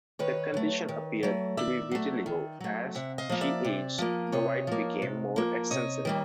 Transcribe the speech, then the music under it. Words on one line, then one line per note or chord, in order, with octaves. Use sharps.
The condition appeared to be vitiligo; as she aged, the white became more extensive.
D#3 B4 C#5
F#3 A3
D#3
F#3 A3
D#3 D5 E5
F#3 A3
D#3
F#3 A3
C3 E5 F#5
D#5 F5
F3 A#3
D5 E5
C3
F3 A#3
C3 C#5 D#5
F3 A#3
C3
F3 A#3
C3 C#5 D#5
D#3 G3 A#3